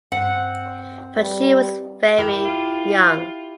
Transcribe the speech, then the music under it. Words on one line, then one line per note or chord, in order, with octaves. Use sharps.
But she was very young.
G2 C4 F#5
G3 B4
E4 G4 A#4
F4